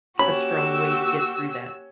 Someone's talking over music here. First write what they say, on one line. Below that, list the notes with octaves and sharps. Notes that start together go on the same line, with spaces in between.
a strong way to get through that
A#3 C#4 F#4 G4 B5 E6